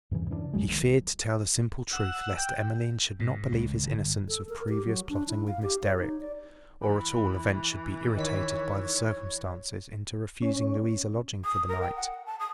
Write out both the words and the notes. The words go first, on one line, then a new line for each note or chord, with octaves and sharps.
He feared to tell the simple truth lest Emmeline should not believe his innocence of previous plotting with Miss Derrick, or at all events should be irritated by the circumstances into refusing Louise a lodging for the night.
E2 G2 C#3 E3
C#3 E3 A#3 D4
A1 F2 F#3 G#3
A#1 D3 D#3
F#5 E6
G5
G#2
C#2
G1
A4
A#4
G4
F#3
D4
E4
F5
G4
C#5
D#4
D5
E3 B5
D#3 C#5 B6
C#4
D#6
A#4
G5
F#5
A5
D#6